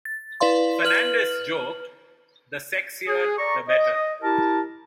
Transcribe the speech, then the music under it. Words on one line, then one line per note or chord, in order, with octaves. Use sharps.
Fernandes joked The sexier the better.
A6
E4 B4 D5 F5 C6
B4 F6 F#7
G#4
A4 D5 A#5 C#6
D#5
E4 G4 A#4 A5